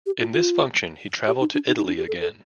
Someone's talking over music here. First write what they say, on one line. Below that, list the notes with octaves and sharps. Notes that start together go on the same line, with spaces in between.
In this function he travelled to Italy again.
G4
F4
F4
G4
D#4
D4
D#4
D#4
D4
G4
A4
A4